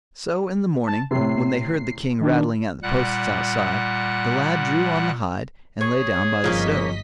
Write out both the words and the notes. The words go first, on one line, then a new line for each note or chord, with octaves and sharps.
So in the morning when they heard the king rattling at the posts outside, the lad drew on the hide, and lay down by the stove.
A5
A2 C3 C7
D#3 D4
A#2 G3 F#5 F#6
G#4 C#5
G1 C#3 F3 A#3 C#4 D#5 B6